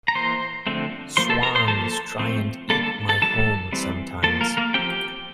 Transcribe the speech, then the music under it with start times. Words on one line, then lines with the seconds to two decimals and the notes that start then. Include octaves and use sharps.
Swans try and eat my home sometimes.
0.08 A#5
0.15 E3 A#3 C5 C6
0.67 D3 F3 A3 C4
1.17 F3 A#3 C5 C6
1.30 A4 A5
1.43 A#4 A#5
1.55 C5 C6
1.68 F3 A#3 A4 A5
2.19 F3 A3 C4
2.70 D3 G3 A#3 A4 A5
2.83 A4 A5
3.09 A4 A5
3.22 E3 G3 A#3 A4 A5
3.73 E3 G3 C4
4.23 F3 A#3 A4 A5
4.41 A#3 A#4
4.57 A#3 A#4
4.74 F3 C4 G4 G5